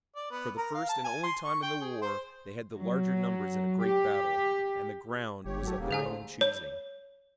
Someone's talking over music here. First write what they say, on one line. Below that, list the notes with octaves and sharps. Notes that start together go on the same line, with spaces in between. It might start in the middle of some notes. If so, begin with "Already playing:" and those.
For the first and only time in the war they had the larger numbers in a great battle, and the ground was of their own choosing.
D5
B3
A#4
F5
A5
G#5
C6
C#6
G5
G#4
C5
F#3
G4
G1 G4 C#5
F#3 F#4 A4
D#1 C#3 F#3 A#3 G4
D3 C4 D#4 G#4 F5 G#5
D3 A3 C5
C#5